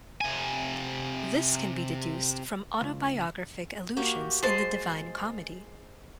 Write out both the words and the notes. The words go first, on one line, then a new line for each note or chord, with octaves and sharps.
This can be deduced from autobiographic allusions in the Divine Comedy.
C3 G#5
C#2
A#3 F#4 G4
G#3 C5 A5